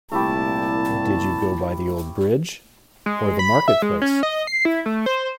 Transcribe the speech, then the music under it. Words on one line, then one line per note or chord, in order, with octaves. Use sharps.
Did you go by the old bridge, or the market-place?
C2 A#2 A3 E4 G4 A5
G#3
B5
E5
G#3
C#4
D#5
C7
E4
A3
C5